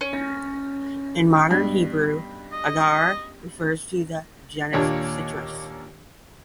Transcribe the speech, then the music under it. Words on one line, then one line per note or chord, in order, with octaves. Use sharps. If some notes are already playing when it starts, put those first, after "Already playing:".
In modern Hebrew, "hadar" refers to the genus "Citrus".
C#4
G2 B2
D#5
D#2 A#2 D4 C#5